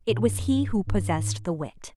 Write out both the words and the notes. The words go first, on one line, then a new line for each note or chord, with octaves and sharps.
It was he who possessed the wit.
A#2
G2
F2
G2
G2
G#2